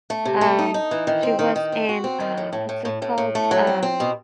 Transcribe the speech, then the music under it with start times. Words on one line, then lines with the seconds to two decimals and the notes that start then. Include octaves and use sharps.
um she was in, uh, what's it called? Um
0.10 A3
0.25 C3
0.41 A3
0.59 D#4
0.74 D#4
0.91 E3
1.07 D#3
1.23 C4
1.39 D#3
1.56 D#3
1.72 C4
1.89 F#4
2.04 C4
2.20 D#3
2.38 A2
2.53 A2
2.69 A2
2.85 A2
3.02 A2
3.18 A2
3.35 A3
3.51 F#3
3.67 C4
3.83 C4
4.00 B2